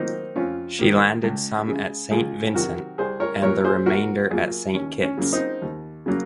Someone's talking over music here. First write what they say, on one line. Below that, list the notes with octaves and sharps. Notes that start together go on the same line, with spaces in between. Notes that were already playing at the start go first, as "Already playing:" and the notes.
She landed some at St Vincent and the remainder at St Kitts.
Already playing: D#3 F#3 A#3 C4 D#4
F2 C#4 F4
D#3 A#3
C#2
C#3 G#3
C#2 F4 G#4
C3 D#3 F#3 F#4 A#4
C2 G#4 C5
A#4 C#5
A#2 F#3 A#4 C#5
G#4 C5
A#2 F#4 A#4
F#3 A#3 F4 G#4
D#2 C#4
C#4
C#3 F#3 A#3
C4 D#4
D#2
C#3 F#3 A#3